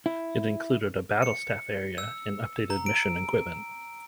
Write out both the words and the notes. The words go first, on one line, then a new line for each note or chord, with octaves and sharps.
It included a battlestaff area and updated mission equipment.
E4
C#7
E6
A#5
D7